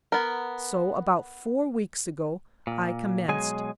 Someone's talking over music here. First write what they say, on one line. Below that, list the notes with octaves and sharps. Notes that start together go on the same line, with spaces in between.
So, about four weeks ago, I commenced.
B3 A#4
A#2
B2 F#3 G#3 G#4 G#5